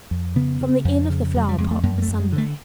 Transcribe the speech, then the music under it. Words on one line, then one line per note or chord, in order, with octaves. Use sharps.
"From the Inn of the Flower-pot, Sunday."
F2
C#3 B3
C#3
F2
C#3
F2 F#3
G3
F2 G#3
A3
F#2 A#3
A#3
A3
F#2
G#3
D3
A3